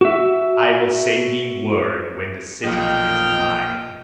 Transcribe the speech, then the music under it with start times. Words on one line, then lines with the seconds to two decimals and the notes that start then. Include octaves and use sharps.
"I will send ye word when the city is mine."
0.01 F#4 E5
2.64 B1 A#2 F3 D#5 G5 F6